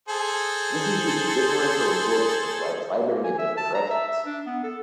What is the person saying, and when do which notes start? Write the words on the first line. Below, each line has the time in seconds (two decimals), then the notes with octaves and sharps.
This is due to differential absorption of light vibrating in different directions.
0.08 G#4 A4 C5
3.09 A#3
3.24 G#5
3.38 E5
3.57 A5
3.75 A#5
3.90 E5
4.08 E5
4.26 D4
4.47 B3
4.63 A4